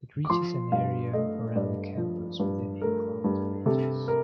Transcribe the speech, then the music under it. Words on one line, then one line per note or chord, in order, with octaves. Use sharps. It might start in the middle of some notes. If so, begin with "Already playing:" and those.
It reaches an area around the campus within eight-km radius.
D6
F3 C6
G2 F5
A3 D#5
G2 D5
F3
G2
A3 A#4
G2
C3 A4
A#4